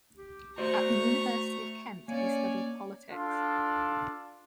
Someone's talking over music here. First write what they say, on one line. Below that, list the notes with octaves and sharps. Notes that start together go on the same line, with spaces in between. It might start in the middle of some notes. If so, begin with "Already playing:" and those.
At the University of Kent he studied Politics.
G4
A3 F#4 C5 D5 A#5 C#6
A#3 C#4 C#5 D5 G#5
D4 F4 A4